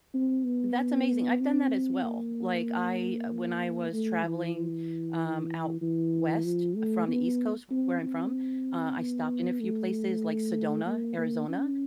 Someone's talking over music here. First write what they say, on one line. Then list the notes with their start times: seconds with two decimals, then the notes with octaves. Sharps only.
That's amazing, I've done that as well, like, I, uh when I was traveling, um, out west from the East Coast where I'm from, uh, I stopped in a few places like Sedona, Arizona.
0.14 C4
0.45 B3
1.40 C4
2.03 A#3
3.92 A3
4.24 E3
5.81 E3
6.44 F3
6.76 A3
7.08 B3
7.71 C4
8.02 C4
8.97 B3
9.60 A3
10.86 A#3
11.18 A#3
11.49 C#4